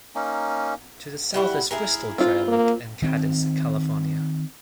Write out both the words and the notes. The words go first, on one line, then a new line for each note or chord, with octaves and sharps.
To the south is Bristol Dry Lake and Cadiz, California.
A#3 C#4 D#4
G3 E4 F#4
E4 G#4 A#4
C4 F4
A#3
D#3 C4